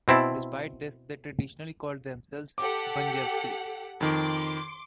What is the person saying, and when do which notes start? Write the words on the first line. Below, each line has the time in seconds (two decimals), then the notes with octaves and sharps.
Despite this, they traditionally called themselves "Bunjevci".
0.08 B2 C4 E4 A5
2.58 G4 A4 F#5 D6
4.01 F2 D#3 C6 D6